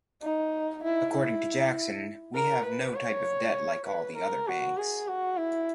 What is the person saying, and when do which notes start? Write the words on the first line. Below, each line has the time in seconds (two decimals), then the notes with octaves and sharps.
According to Jackson: we have no type of debt, like all the other banks.
0.23 D#4
0.84 E4
1.14 E4
2.35 A#4
2.66 B4
2.96 C#5
3.86 B4
4.17 A#4
4.47 F#4
4.77 G#4
5.08 F#4
5.38 E4